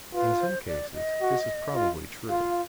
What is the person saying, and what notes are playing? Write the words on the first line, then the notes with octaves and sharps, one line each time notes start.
In some cases this is probably true.
F4 B4
C5
D5
D#5
F#4
F4
F4 F5